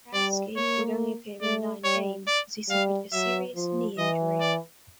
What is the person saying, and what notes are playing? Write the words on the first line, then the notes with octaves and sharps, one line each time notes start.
Berehowsky would only appear in nine games as he suffered a serious knee injury.
G3 D5
A#3 C#5
A3 D5
G3 C#5
D5
G3 F5
F#3 E5
F3
E3 D#5
D5